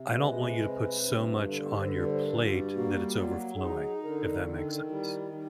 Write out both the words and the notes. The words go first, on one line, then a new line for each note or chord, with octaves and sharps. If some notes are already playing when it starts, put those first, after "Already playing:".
I don't want you to put so much on your plate that it's overflowing, if that makes sense.
Already playing: C3
G#3 B4
C3
G2
D3
C5
G2 B4
B4
C5
A#4
G3 B4
F4
F#4
A#3 F#4
F#3 F#4
F4
F#4
A4
D#4 G#4
D3 A#4
D#3 A4
G3 E4
G3 D#4